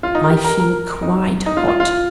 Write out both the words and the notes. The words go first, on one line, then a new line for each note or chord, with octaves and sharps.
I feel quite hot.
F4
D#4
A#4
G4
A#4
A#4
D#4
D#4
F4
F4
F4